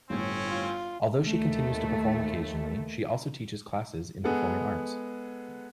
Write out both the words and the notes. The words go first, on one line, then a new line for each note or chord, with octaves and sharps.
Although she continues to perform occasionally, she also teaches classes in performing arts.
G1 A2 C4 C#4 C#5
F4
D#2 A3
G#3 B3 G#4 A4 F#5